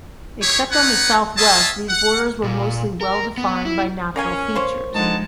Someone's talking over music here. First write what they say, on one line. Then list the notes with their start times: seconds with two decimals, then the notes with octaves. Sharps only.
Except on the south-west, these borders were mostly well defined by natural features.
0.42 E4 G4 G#4 C#5
0.72 D#4 B4 C#5 F#5
1.37 F4 C#5 D#5 E5 A5
1.89 F#5
2.43 A#2
3.01 A#4
3.38 B3
3.65 E4
4.16 C#4 A#4 F5 G#5
4.55 A#3 C5 C#5
4.94 D3 F3 G#3 D#4 A5